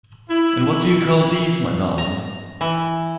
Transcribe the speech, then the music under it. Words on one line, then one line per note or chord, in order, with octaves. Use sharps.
And what do you call these, my darling?
E4
A#5
E3